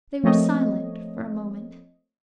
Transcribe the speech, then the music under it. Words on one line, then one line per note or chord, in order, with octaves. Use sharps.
They were silent for a moment.
F3 A3 A#3 C4 C#5 D#5